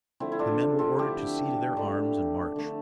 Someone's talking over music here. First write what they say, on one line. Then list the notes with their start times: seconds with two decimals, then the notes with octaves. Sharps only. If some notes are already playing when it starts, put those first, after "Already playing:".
The men were ordered to see to their arms and march.
0.20 D3 F3 A3 C4 E4
0.32 E4
0.39 D4 F4
0.79 F4 A4
0.99 D3 F3 A3 E4 G4
1.77 D3 A3
2.56 D3 A3